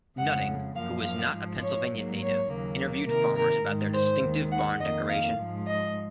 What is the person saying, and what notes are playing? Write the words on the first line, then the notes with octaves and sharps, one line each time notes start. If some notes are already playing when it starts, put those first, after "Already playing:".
Nutting, who was not a Pennsylvania native, interviewed farmers about their distinctive barn decoration.
F2 C#3 G#3 F#5
F#2 F3 A#3 F5
F5
G#2 F3 G#3
C#5
G#2 F#3 A#3
C#5
D#2 C#3 F#3 A#3
C3 D#3 A#3 A#4
A#4
G#2 D#3 G#3
C5
D#2 D#3 G#3
F#5
F2 D#3 A#3 D#5
F5
G#2 F3 G#3
D#5